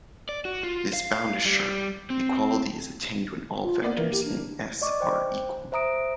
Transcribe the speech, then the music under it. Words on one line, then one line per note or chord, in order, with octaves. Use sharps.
This bound is sharp; equality is attained when all vectors in "S" are equal.
D5
F#4
F4
F5
G3
C4
F4
A#3 B3 D4 D5
E3 A#3
G4
D4
D5 D#5 C#6 D6
C5 G5
C5 E5 A#5 D#6 D7